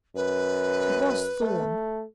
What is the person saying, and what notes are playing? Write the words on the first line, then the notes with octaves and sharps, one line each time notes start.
"It was Thorn."
F#2 B4
A3